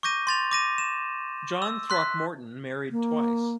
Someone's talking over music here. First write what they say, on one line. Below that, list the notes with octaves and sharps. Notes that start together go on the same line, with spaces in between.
John Throckmorton married twice.
C#6 D6 G6 A#6 D#7
C6 A6 F7
D6 A#6 D#7
E7
E6
C6 F#6 B6
A#3